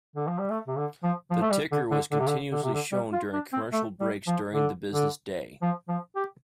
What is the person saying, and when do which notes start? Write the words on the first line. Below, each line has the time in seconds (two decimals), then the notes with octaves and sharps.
The ticker was continuously shown during commercial breaks during the business day.
0.16 D3
0.27 F3
0.39 G3
0.50 A3
0.68 C3
0.77 D3
1.03 F3
1.31 F3
1.42 A3
1.51 G3
1.72 D3
1.91 D3
2.12 D3
2.20 C3
2.27 D3
2.52 D3
2.63 C3
2.74 D3
2.92 G3
3.13 F4
3.33 D4
3.53 C4
3.73 A3
4.00 G3
4.28 F3
4.54 D3
4.94 D3
5.62 F3
5.89 F3
6.16 G4